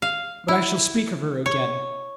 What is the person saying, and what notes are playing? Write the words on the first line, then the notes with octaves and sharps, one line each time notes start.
But I shall speak of her again.
F5
E4
C#5